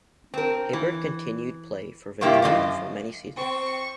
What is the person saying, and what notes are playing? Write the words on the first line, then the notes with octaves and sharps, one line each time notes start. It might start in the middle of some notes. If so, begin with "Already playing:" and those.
Hibbert continued play for Victoria for many seasons.
C4 A#4
E3
G2 C3 A#3 E4 F4 G4
F#2 A#3 D#5 F5
C4 C#6